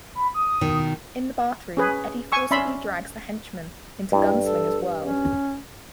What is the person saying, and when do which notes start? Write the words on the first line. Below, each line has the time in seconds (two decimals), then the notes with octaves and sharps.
In the bathroom, Eddie forcibly drags the henchman into the Gunslinger's world.
0.15 B5
0.34 D#6
0.61 B2 D#3
1.77 C#4 G#4 B4
2.32 G#5 C#6 E6
2.51 C#4 D5 E5 B5 C6
4.12 G2 E4
4.41 A4
5.01 C#4